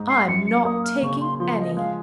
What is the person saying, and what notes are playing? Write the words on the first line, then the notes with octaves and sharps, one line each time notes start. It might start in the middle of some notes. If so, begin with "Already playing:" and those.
I'm not taking any.
Already playing: G#2 D#4
C7
F#2 C#7
C#7
A#3 D#6
F6
C#3 C#6
C6
F3 C6
D#5
G#3 F5